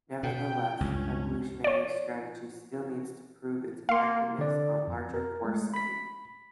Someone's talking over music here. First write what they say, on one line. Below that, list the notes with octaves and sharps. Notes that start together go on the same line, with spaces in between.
Nevertheless, evolutionary strategy still needs to prove its effectiveness on larger core settings.
B2 G5
C#2 G2 C#4
C#5 D5
A#3 F5 C6
D3 D5
F2
A#4
G#3 A3
B5 B6